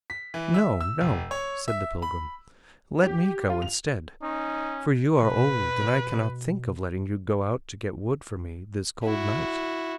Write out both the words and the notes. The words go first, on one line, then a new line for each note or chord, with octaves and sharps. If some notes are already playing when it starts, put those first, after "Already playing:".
"No, no," said the pilgrim, "let me go instead, for you are old, and I cannot think of letting you go out to get wood for me this cold night!"
B6
E3
E5
E6
F1
C#5
E5
B5
G4
F4
F7
C#4 D#4
B2 B4
E4 F#4